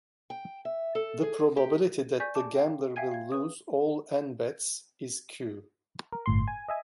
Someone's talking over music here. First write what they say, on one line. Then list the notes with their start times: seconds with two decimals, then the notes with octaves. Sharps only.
The probability that the gambler will lose all "n" bets is "q".
0.30 G5
0.65 E5
0.95 A4
1.23 G#4
1.57 G4
2.20 D5 G#5 C#6 G6 B6
2.35 A5 D6
2.55 F5 G5
2.96 E5 F5 G5 G#5 G#6 D#7
3.11 F5 G#6
3.32 B4 D#6
6.13 A#4
6.26 G1 A2 C6
6.48 G#5
6.68 D#5 E5 G#5